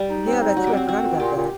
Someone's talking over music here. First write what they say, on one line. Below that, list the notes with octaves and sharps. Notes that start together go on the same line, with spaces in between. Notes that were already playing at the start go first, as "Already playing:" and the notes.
Yeah, that too. I forgot about that.
Already playing: G3
D#4
C4
D#4
F#3 F#4
G4
C4 F#4
C4 F#4
A#2
A#2 G4
A#2